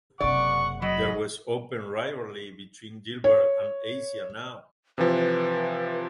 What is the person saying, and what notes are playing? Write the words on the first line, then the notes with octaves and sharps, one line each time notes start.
There was open rivalry between Gilbert and Asia now.
F#1 C3 D5 F#5 C#6
F#3 D#5 B5
C#5
C3 E3 F3 B4